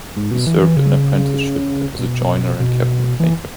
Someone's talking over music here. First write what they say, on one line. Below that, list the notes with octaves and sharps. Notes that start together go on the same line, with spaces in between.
He served an apprenticeship as a joiner and cabinet maker.
G#2
B2
E3
E3
C#3
B2
B2
E3